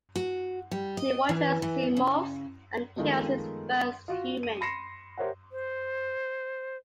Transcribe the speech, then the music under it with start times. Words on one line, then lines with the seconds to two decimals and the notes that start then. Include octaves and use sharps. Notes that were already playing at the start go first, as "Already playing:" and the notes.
She watches as he morphs and kills his first human.
0.16 F#4
0.71 G3
0.97 D#5
1.29 E3
1.62 E3
1.97 C#3
2.96 D#3 F3 G#3 A3 B3
4.08 F4 F#4
4.43 D#7
4.61 B5 C6 A#6 C7 C#7 E7
5.17 G4 A#4 C5 C#5 E5 F#5
5.52 C5